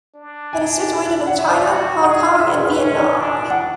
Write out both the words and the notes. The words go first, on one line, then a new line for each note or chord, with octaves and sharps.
It is situated in China, Hong Kong and Vietnam.
D4
G#5
F#5
E5
D5
E5
F#4
G#4 F#5
E5
F#4
G#4
B4
C#4 C#5
D5
D4 G#5
F#5